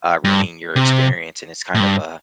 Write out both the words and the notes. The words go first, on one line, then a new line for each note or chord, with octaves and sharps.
uh ruining your experience, and it's kind of a
G2
C3
A2
G2